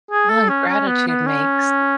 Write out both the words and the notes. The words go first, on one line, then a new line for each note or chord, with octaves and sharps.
Well, and gratitude makes
G#4
A4
C#4
C#4
B3
B3
C#4